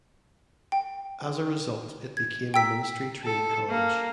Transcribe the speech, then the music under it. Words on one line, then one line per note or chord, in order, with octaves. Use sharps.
As a result, it became a Ministry training college.
G5
G#6
G5 A#5 E6 B6
A4
A#3